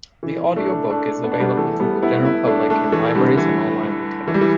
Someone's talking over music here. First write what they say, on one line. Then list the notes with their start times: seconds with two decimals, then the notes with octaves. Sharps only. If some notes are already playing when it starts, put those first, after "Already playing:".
The audio book is available to the general public in libraries and online retailers.
0.23 E3
0.56 A3 D4
0.90 A3 D4
1.24 B3
1.32 D4
1.40 G3 B3
1.57 E3 A3
1.80 G3 B3
2.02 B3 E4
2.25 B3 E4
2.47 A3 D4
2.70 A3 D4
2.92 E3 A3
3.15 D3 G3
3.37 E3
4.28 E3
4.34 G3
4.41 E3